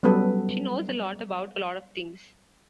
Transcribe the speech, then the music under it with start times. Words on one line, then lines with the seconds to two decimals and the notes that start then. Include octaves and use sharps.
She knows a lot about a lot of things.
0.03 F#3 G3 B3 C#4 A4 B4